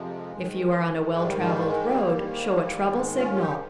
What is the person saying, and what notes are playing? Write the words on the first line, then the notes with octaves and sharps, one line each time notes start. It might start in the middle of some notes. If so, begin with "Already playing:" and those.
If you are on a well-traveled road, show a trouble signal.
Already playing: F2 C3 F3 G#3
G#2 D#3
G3
G3
A#3
G#3
G3 A#3
G#2 D#3
G#3
C#4 F4
F4
D#4 G4